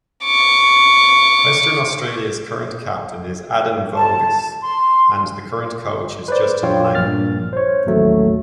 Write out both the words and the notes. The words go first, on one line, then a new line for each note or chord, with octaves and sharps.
Western Australia's current captain is Adam Voges, and the current coach is Justin Langer.
C#6 D6
A5
C6
B4 C5 D5
A#1 F4 C#5 G5
A#1 G2 A#3 F6 A6
C5 C#5
A1 D#2 F#3 A3